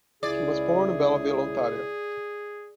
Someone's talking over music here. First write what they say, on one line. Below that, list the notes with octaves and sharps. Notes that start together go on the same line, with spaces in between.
He was born in Belleville, Ontario.
C#2 C#4 E4 G#4 D5